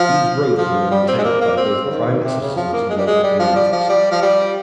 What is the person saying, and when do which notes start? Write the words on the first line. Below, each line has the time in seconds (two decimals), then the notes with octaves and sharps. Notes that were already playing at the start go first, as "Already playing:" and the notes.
These roads were maintained by both private citizens and local communities.
Already playing: F3
0.58 F3
0.91 G3
1.08 C4
1.19 G#3
1.25 A#3
1.41 A#3
1.57 C4
1.84 C#3
1.91 D#3
2.24 C3
2.41 C#3
2.56 F3
2.73 A#3
2.90 G#3
2.98 G3
3.07 G#3
3.24 G3
3.39 F3
3.56 G3
3.72 F3
3.89 G3
4.11 F3
4.22 G3